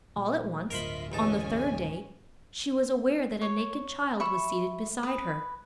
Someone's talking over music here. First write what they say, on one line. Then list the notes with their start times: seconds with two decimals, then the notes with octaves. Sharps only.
All at once, on the third day, she was aware that a naked child was seated beside her.
0.17 A#2 F#3
0.71 D1 G2 F4 A#4 C5 D#5 E5 B5
1.12 A1 G#3 C#4 D#4 G#5 A5
3.42 C#5
4.20 E5 B5 C#6
5.03 B4 D#6